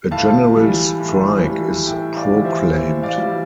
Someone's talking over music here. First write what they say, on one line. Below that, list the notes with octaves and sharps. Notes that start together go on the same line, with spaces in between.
A general strike is proclaimed.
A2 F5 A5
E3 G3
A2
E3 G3
A2 E5 G5
D5 F5
E3 G3
C5 E5
A2 C5 E5
D5 F5
E3 G3